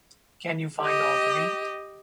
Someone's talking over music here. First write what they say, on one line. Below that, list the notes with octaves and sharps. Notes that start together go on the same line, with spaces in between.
Can you find all three?
G4 D#5